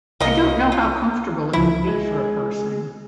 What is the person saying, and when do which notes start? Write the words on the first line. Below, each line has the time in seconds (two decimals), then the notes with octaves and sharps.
I don’t know how comfortable it would be for a person.
0.20 C2 A#3 D#5
0.72 F4
1.53 C#2 F3 E4
1.88 G#3